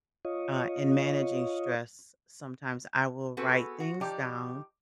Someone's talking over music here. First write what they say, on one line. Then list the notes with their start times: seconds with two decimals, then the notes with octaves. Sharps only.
uh, in managing stress, sometimes I will write things down,
0.25 F4 C#5 D#5
3.37 B3 C4 F#4 G#4 A4 B4
3.80 F#4
4.01 F3 D#4 G4 D5